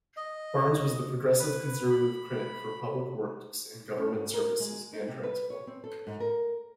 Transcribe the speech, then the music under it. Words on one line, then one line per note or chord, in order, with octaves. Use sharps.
Barnes was the Progressive Conservative critic for Public Works and Government Services, and Transport.
D#5
B4
B5
C#4
G#2
A#4
G#3
D#4
C3
B4
C#5
C4
A4
G#2
A#4